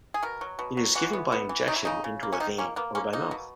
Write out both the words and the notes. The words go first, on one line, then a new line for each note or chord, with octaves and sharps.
It is given by injection into a vein or by mouth.
G#4
B2 A#4
F#3
B2
F#3
E3 F#4
B3
B3
E3
F#3 D#4
E4
C#3 D#4
C#3
A#3
C#4
D#3 D#4
A#3 C#4
A#3 B3
A#3 C#4
A#3 D#4
B2